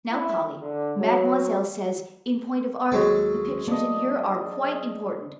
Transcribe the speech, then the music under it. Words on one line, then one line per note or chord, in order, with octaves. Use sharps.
"Now, Polly, Mademoiselle says, in point of art, the pictures in here are quite important."
E4
D3
F#3
D#2 F#3 G#3 A4
A#3 D4 D#5